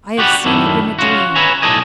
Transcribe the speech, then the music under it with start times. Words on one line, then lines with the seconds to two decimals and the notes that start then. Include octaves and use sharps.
I have seen it in a dream.
0.18 F#4 G4 B4 D5 F#5
0.45 F#2 A2 D#3 D4 E4
0.99 C#4 F4 F#4
1.36 B4 C#5 E5 G#5 A#5
1.62 B1 A2 A4 D5 D#5 G#5